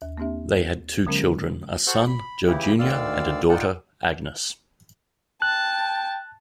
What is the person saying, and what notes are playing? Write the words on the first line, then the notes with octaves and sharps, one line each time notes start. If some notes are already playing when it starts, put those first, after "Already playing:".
They had two children, a son, Joe Junior and a daughter, Agnes.
D#2
A#3 C4 D4 G4 E5
D3 F#3 G#3 B3 C#4 A#4
F#4 A4 C5 F#5 C6 E6
B5
C#3 E3 E4 G4
D2 D3 D#3 D5 F5 E6
D#4 F4 D5 F#5 G5
G5 A5 F#6